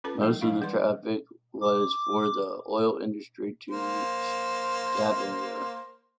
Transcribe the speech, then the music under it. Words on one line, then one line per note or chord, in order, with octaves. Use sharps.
Most of the traffic was for the oil industry to Stavanger.
C#4 F4 A4 B4 A5
F3 G3 A3 D#4
F3 F#3 D4 D#4 F5
E3 G3 B4 C6
D6
A#3 C5